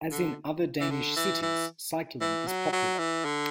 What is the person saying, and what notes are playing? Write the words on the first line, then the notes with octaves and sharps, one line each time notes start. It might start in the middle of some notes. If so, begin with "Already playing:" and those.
As in other Danish cities, cycling is popular.
D3
E3
D3
E3
E3
E3
F#3
F#3
E3
D3